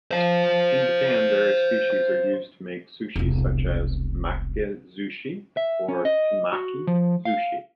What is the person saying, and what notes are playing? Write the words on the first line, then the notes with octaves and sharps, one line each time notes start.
In Japan, various species are used to make sushi such as "maki-zushi" or "temaki-zushi".
C5 F5
E1 C2
E5
C#4
D#5
F#4
F3
F5